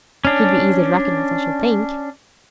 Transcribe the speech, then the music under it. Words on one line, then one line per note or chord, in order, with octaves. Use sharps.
He'd be easy to recognise, I should think.'
C#4 D4